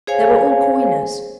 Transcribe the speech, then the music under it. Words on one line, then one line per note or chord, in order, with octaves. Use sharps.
They were all coiners.
G#4 C5 C#5 F5 G#5